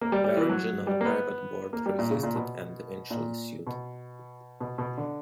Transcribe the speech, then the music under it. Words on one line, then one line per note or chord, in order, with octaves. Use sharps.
The original, private Board resisted and eventually sued.
A#3
G3
G3
E3
F#3
G3
A#3
B3
A#3
G3
A#2
C#3
A#2
B2
A#2
B2
B2
B2
D3